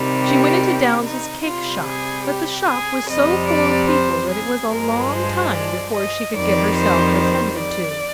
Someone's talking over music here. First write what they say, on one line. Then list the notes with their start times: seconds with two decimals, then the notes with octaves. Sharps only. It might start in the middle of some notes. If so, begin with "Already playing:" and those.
She went into Downes's cake-shop but the shop was so full of people that it was a long time before she could get herself attended to.
Already playing: C3 D#3 G3
0.21 G4
1.03 D#4
1.44 C3 G3 F4
1.86 G#4
2.26 G4
2.67 G#4
3.08 F2 C3 G3 D#5
3.48 D5
3.90 C5
4.31 G#4
4.72 G2 F3 G#3 A#4
5.13 C5
5.53 D5
5.95 D#5
6.35 F2 D#3 G3 D5
6.77 C5
7.18 C5
7.58 D5